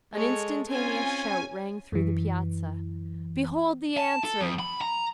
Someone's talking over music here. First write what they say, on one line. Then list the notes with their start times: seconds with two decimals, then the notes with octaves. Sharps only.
An instantaneous shout rang through the Piazza, "Behold the answer!"
0.14 G#3 A4 C#5
0.68 C4 C#4 F4 G#5
1.92 F#2 E3
3.98 A5
4.24 A4
4.41 F2
4.59 B5
4.81 A#5